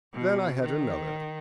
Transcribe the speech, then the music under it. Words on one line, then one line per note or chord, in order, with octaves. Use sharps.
Then I had another.
B2
D#3